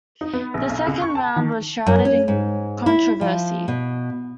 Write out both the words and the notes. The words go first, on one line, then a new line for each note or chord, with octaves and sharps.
The second round was shrouded in controversy.
D#4
B3
A#1
B1
C#2
C#6
A5
D#3
F#2
C#4
G#2
E4
F3
B2